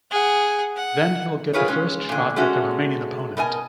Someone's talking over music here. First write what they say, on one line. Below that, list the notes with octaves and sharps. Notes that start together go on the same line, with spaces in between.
Then he will get the first shot at the remaining opponent.
G#4 F#5
F#5
F4 G#4 A#4 B4 C#5
G#3 C#4
A#2 D3
G#3 A3 C#4 F#4
B2 A#4 D#5 G#5